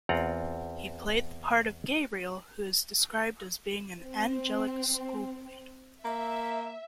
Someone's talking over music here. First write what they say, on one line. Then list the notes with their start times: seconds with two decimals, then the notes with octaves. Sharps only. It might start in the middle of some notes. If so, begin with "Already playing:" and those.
He played the part of Gabriel who is described as being an 'angelic schoolboy'.
0.09 E2 C4 F4 D5 F#5 A#5
4.05 C4
6.05 A#3 E5